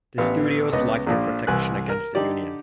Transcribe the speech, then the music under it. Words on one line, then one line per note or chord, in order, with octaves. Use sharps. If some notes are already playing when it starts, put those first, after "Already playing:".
The studios liked the protection against the union.
A1 B3 F5
C#2 B3 D#5
A#1 A#2 F3
C2 E3 G#5 F#6
A#4
D3 D#4 G4 D5